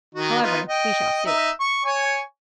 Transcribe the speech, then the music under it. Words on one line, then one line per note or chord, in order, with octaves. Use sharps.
However, we shall see.'
D#3 D#4 F#4
B3 D#4 F4
D#5 G5
D#4 E5
C#6
C#5 G#5 C#6